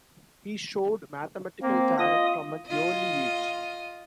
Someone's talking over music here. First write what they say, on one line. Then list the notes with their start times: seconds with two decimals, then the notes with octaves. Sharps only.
He showed mathematical talent from an early age.
1.62 A#3 C4
1.99 F4 D#5 D#6
2.67 F4 D#5